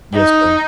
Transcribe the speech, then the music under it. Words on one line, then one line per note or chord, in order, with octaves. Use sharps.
Yes, sir.
D#4